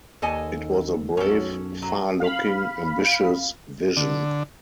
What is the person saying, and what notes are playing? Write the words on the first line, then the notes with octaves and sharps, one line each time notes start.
It was a brave, far looking, ambitious vision.
D#2 A4 D#5 G#5
B1 F#2 C#4 A4
F#3
F5 B5
D3